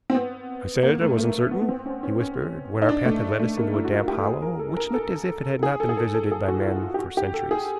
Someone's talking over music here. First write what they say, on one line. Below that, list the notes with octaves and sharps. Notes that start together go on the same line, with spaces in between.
"I said I wasn't certain," he whispered when our path had led us into a damp hollow which looked as if it had not been visited by man for centuries.
C4
B3
A#3
A3
A3
A#3
B3
B3
C4
C#4
C#4
C#4
D#4
D4
A3
A3
A#3
E4
F#4
F4
G4
A4
G#4
A#4
A4
A#4
A4
G#4
A4
G#4
A4
A4
G#4
F#4
F4
E4
F4
G4
F#4
G4
A4
G#4